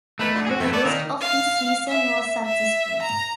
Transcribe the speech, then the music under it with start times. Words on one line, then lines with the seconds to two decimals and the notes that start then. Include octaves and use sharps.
The rest of his season was successful.
0.19 E2 D#3 A3 B4
0.33 F2 A#2 D3
0.47 F#4 G#4
0.60 F2 A3 E4
0.73 B3 A4 C#5 D5
0.85 A#2 D#3
1.21 F5
1.88 E5
2.46 E5
3.02 A#5